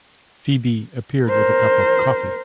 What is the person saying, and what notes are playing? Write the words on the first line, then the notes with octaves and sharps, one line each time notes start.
Phebe appeared with a cup of coffee.
A#4 C5